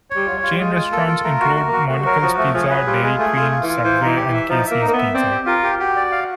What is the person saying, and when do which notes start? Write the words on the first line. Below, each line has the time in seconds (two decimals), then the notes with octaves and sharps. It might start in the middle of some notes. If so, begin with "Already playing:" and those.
Chain restaurants include Monical's Pizza, Dairy Queen, Subway, and Casey's Pizza.
0.10 C#5
0.16 G3
0.26 F#3 F4
0.38 G3
0.42 F4
0.51 G3
0.59 G#3 F4
0.75 F4
0.92 A#3 A4
1.07 F4
1.24 A3 A#4
1.40 F#4
1.46 A3
1.56 A#4
1.67 A#3
1.72 F#4
1.89 A3 F#4
2.00 G3
2.06 F#3 A#4
2.21 F3 F#4
2.37 F3 A3
2.54 F3 G#4
2.70 F#3 B4
2.87 G3 F4
3.03 G#3 G#4
3.19 A3 G#4
3.36 A3 F4
3.51 F4
3.63 E3
3.69 F4
3.84 E3 C5
4.01 E3 D#4
4.16 G4
4.28 E3
4.33 E5
4.49 F3 D#4
4.66 A#3 E5
4.81 D#4
4.87 A#3
4.93 B3 E5
5.14 C4 D5
5.31 G4
5.47 F4 A#4
5.63 G4
5.79 F#4 G4
5.96 D5
6.12 F5